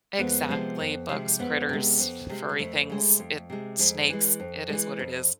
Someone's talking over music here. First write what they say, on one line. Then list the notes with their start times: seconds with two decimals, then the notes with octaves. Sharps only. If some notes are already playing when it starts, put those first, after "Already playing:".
Exactly. Bugs, critters, f furry things, it snakes. It is what it is.
0.19 F2 G#3 B3
0.49 C3 F3 G#3
0.79 F2
1.09 C3 F3 G#3
1.39 F2 G#3 B3
1.69 C3 G#3
2.00 F2
2.29 C3 G#3
2.49 G#3
2.59 F2 A3
2.89 C3 G#3
3.20 F2
3.50 C3 G#3
3.79 F2 G#3
4.09 E3 G#3
4.40 F2
4.69 E3 G#3
4.99 F2